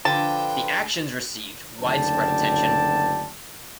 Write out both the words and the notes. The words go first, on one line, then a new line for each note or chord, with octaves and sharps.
The actions received widespread attention.
D3 F3 F4 B4 G5 A5
F#1 D2 D3 D5 G5 A5